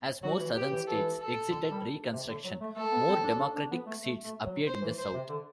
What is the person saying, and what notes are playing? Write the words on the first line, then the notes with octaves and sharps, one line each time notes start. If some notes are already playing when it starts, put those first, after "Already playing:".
As more Southern states exited Reconstruction, more Democratic seats appeared in the South.
F#3 F#4
E3
G4
E3
E3 A4
A4
D3
G3
C3
D3
F#3
A3
A3 A4
B3
C4
D4
D4
D4
B3
A3
A3
A3
F#3
C5
E3
C5
C3
D3